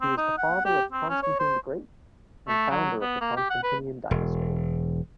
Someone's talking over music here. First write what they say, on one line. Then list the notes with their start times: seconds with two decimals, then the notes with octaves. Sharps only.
He was the father of Constantine the Great and founder of the Constantinian dynasty.
0.01 C4
0.18 D#4
0.38 F#5
0.65 G4
0.92 C4
1.09 C#4
1.23 C#5
1.39 C5
2.48 A3
2.71 F#3
3.01 B3
3.21 A#3
3.37 G4
3.50 F#5
3.63 B4
4.11 E1